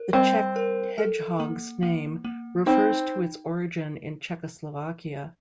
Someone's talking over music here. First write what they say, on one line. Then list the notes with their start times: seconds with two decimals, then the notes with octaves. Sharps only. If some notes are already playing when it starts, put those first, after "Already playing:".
The Czech hedgehog's name refers to its origin in Czechoslovakia.
Already playing: A#4
0.13 G3 C4
0.56 A#4
0.98 A4
1.40 A#3
1.83 A#3
2.24 A#3
2.66 C4 D#4